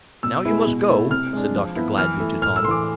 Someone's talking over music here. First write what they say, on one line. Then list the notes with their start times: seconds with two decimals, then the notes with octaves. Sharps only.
"Now you must go," said Dr. Gladby to Tom.
0.23 B2 E6
0.45 G#3 B3 E4
0.67 B2
0.88 A3 E4
1.10 C3 F6
1.33 G#3 D4
1.55 F3
1.76 B3 E4
1.98 E3 F6
2.20 A3 E4
2.42 A2 F6
2.56 E6
2.63 A3 C6
2.68 E3 D6